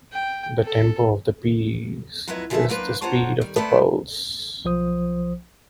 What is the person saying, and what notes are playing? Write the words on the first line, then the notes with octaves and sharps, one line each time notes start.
The tempo of the piece is the speed of the pulse.
G5
A4
F2 F#3 E4 B4 C#5 D#5
C#3 E3 F3 G#4 A4 E5
F#3 A#3 D4 B4 C5
D4 F4 C5 C#5 F#5 A#5
D#3 G3
A3 B3 A4 B4 C5 D5
B1 F3 C5 D#6